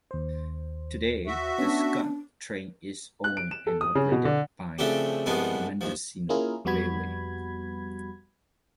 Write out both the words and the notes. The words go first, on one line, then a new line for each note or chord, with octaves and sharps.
Today the Skunk Train is owned and operated by Mendocino Railway.
D#2 C5
F#4 E5
B3 C#4 D4
F#6
D7
E7
A4
D#6
C#3
B2
D3
C#3 F3 A3 C4 D4 G4
C2 G2 F3 G#3 B3 D4
D#2 F3
A#3 C#4 E4 F4 G#4 A#4
F2 G3 B3 F#4 B5 G#6